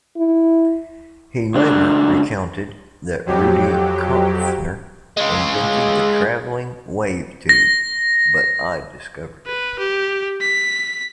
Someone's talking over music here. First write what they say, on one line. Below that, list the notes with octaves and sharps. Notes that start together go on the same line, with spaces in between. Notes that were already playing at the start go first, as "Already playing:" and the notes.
He later recounted that Rudy Kompfner invented the traveling-wave tube, but I discovered it.
E4
C#2 D4
F2 F#3 G4
G#3 F4
A#6
B4
G4
B6